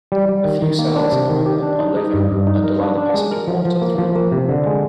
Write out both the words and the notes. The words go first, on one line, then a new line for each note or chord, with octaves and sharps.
A few cells, however, are living and allow the passage of water through them.
G3
G3
D#3
D#3
A#3
D4
C3
D#3
G4
D4
D#4
D#4
G2
G2
D#4
A#4
D4
D4
G#3
A#4
F3
F3
A#3
F3
A#3
C3
D3
G#3